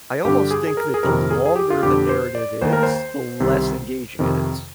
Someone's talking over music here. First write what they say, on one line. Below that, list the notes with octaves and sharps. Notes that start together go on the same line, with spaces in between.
I almost think that the longer the narrative is, the less engaging it is.
G2 D3 G4
G#4
G#4
A#4
G#4
F2 C3 D#3 A#4
G#4
G#4
G4
F4
F2 D3 G4
C5
D5
D#2 D#3 C5
A#4
C5
C2 C3 D#3
F2 C3 D#3